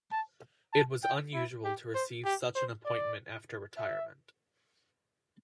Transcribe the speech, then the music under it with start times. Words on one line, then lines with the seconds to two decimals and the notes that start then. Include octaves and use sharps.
It was unusual to receive such an appointment after retirement.
0.12 A5
0.73 A5
1.03 G5
1.34 E4
1.64 G4
1.95 C5
2.25 G4
2.56 C5
2.86 D5
3.77 E5